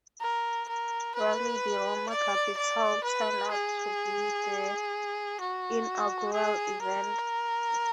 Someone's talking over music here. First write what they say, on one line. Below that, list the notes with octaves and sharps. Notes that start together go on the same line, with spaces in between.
Rally di Roma Capitale turned out to be the inaugural event.
A#4
A#4
B4
D5
D5
B4
G#4
F#4
G#4
A#4